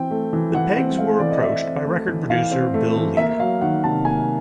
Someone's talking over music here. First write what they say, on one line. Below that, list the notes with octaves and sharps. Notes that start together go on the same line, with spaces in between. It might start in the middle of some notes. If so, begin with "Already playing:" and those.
The Peggs were approached by record producer Bill Leader.
Already playing: E3 C4 G5
A3
E3
E3 F#5
C4
A3 F5
E3 D5
D#5
E3 E5
C4
A3
E3
E3 F5
C4
A3
E3
A#3 E5
F#3 F5
D#3 F#5
C3 A5
A#3 G#5